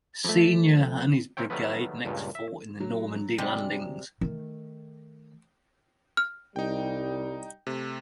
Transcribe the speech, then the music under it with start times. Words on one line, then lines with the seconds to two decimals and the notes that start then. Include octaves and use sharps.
Senior and his brigade next fought in the Normandy landings.
0.24 F2 A3
1.37 A#3 C4 E4 C#5 G5
1.50 D#3 F#3 G3 A3 B3 B4
2.05 C#2 G2 A#2
2.35 E5
2.80 F#3
3.38 C3 G3 G#3
4.21 D#3 A3
6.17 F6
6.56 C2 G3 D#4 G5
7.67 C3 A3